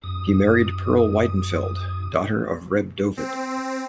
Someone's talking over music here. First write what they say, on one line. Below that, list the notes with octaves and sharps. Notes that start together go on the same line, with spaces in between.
He married Perl Weidenfeld, daughter of Reb Dovid.
F#2 D#6
C4